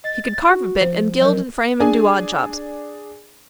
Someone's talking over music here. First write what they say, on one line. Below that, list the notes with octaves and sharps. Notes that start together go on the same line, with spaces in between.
He could carve a bit, and gild and frame, and do odd jobs.
D#5 A6
F#4
F3 C5
F#3 A#4
D4 G#4 G#5